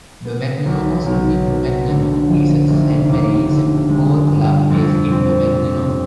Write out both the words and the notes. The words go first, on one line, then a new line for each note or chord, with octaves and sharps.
Domagnano or simply Domagnano, is a Sanmarinese football club, based in Domagnano.
B3
B1
B1
B2
D3
F3
F1
D#2
D3
G#3
G1
F2
C4
G4